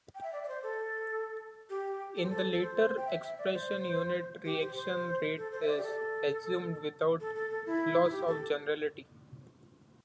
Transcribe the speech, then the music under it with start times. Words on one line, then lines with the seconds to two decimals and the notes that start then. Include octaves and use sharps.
In the later expression unit reaction rate is assumed without loss of generality.
0.15 G5
0.23 E5
0.33 D5
0.43 D5
0.48 C5
0.63 A4
1.70 G4
2.16 A4
2.23 C5
2.30 A4
2.52 A4
2.62 C5
2.97 G5
3.07 E5
3.23 E5
3.38 D5
3.54 C5
4.45 G4
4.61 C5
4.76 C5
5.37 A4
5.52 C5
5.62 E5
5.68 D5
5.78 G4
5.83 A4
7.20 A4
7.36 A4
7.51 A4
7.66 E4
8.05 E4
8.12 G4
8.27 A4